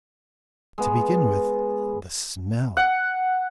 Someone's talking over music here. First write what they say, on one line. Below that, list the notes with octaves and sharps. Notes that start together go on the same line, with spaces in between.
To begin with the smell.
G#3 B3
F#5